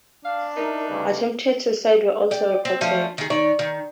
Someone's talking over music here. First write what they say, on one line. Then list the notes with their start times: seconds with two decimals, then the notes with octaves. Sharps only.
Attempted suicides were also reported.
0.25 D4 F5
0.57 D#4 E4 A#4
0.88 D2 G2 C#3
2.31 D5 G5
2.65 C4
2.81 F3 A3 C#4 D4
3.18 D#3 G#4
3.30 D#3 C#5 D5
3.59 D#3